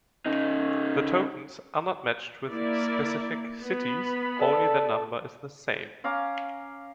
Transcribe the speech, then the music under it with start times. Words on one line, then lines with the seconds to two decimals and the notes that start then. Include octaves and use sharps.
The tokens are not matched with specific cities, only their number is the same.
0.26 C#3 D#4
2.51 A#3 E4 D5
3.61 B3 B5
4.39 A4 D5
6.04 C#4 F5 A#5 D6